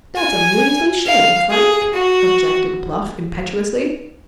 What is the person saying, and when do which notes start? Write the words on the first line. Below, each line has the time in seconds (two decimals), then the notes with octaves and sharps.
"That's a measly shame, Frank!" objected Bluff impetuously.
0.17 G#5
1.06 F5
1.51 G#4
1.94 F#4